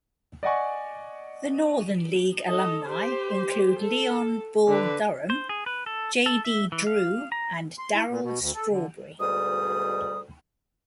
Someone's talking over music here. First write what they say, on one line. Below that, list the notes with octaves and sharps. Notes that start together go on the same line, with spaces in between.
The Northern League alumni include Leon "Bull" Durham, J. D. Drew, and Darryl Strawberry.
D5 D#5 F#5 G#5 C#6
A4 D#5
G4 C5
A4
D3 B4
C5
G#4
B4
A4
A4
E5
E3
F5
A#5
C6
E4
A#2
B2
D2
A4
D3
D2 G#2 B2 G3 D#6